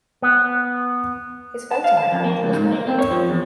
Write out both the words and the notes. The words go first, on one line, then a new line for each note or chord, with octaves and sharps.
His voting record was moderate.
B3
A5
F5
A5
F2
A#3
C#2
G#2
A#3
C4
C#5
F3
E2